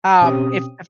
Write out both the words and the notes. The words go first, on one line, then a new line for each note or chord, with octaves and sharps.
Um, if if
B2 C4 C#4 G4 D#6